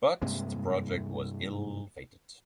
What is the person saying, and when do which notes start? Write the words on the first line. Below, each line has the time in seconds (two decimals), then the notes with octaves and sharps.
But the project was ill-fated.
0.22 G2 C3 G#3 A#3